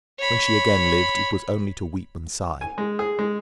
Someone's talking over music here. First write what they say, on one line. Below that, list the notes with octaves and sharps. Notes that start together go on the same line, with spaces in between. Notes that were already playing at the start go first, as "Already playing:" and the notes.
When she again lived, it was only to weep and sigh.
C#5 B5
G#5
G#3
G#4
G#3